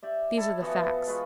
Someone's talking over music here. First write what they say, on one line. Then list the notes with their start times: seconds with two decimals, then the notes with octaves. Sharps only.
These are the facts.
0.03 G4 D5 E5
0.37 E4 A4 A5
0.61 E3 F3 B3 F#4
0.83 B3
1.07 G#3 F4 B4 C#6